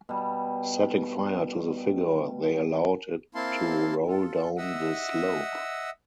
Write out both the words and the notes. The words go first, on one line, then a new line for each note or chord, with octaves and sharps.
Setting fire to the figure, they allowed it to roll down the slope.
B2 G3
A#3 C4 E4 F5 A5 C6
F4 A4
D#5 E5 F#5 E6